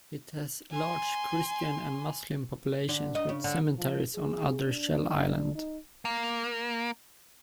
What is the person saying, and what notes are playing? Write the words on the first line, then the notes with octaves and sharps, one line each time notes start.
It has large Christian and Muslim populations with cemeteries on another shell island.
G#5 C6
D3
D#5
C#3
D3
F3
G#4
D4
D#4
A#3